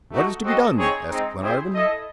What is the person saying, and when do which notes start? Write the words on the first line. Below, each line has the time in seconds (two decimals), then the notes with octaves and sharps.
"What is to be done?" asked Glenarvan.
0.11 A3 D#4 F#4
0.43 C4 F#4 A4 D#5
0.75 C4 D#4 G#4 C#5
1.08 G#3 C4 D#4
1.40 C4 E4 G#4 C5
1.72 E4 A4 D#5